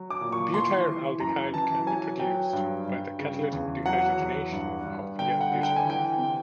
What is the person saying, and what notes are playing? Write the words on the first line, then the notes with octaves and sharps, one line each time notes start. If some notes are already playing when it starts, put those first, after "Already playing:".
Butyraldehyde can be produced by the catalytic dehydrogenation of "n"-butanol.
Already playing: F#3
D6
A#2
C#6
E3 C6
E3
F#2 A#5
E3 A5
F#3 G#5
F#3 G5
G2
G2
C#3
E2
F#3 F#5
E2
G2
G2
D3 G5
F#5
D3
G5
G#5
E3 G5
C3